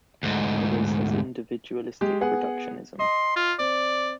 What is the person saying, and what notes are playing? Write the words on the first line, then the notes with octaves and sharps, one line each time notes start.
Others as individualistic reductionism.
D2 G#2
G#3 G4
B3 G#4 F#5
D#5 C6
F4
C4 D5